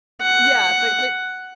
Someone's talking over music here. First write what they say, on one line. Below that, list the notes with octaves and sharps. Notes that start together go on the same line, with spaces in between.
Yeah, like they
F#5